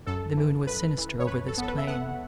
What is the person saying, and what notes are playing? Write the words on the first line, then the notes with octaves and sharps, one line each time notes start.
The moon was sinister over this plain.
F#2 A4
E3
F#2 B4
E3
C#5
F#2 B4
A4
B3 A4
B4
E5
B3 F#5